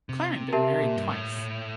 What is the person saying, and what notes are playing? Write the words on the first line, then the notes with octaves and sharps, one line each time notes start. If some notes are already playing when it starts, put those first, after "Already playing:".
Clarendon married twice.
C3
G4 A#4 E5 A5
A#2
G2
A2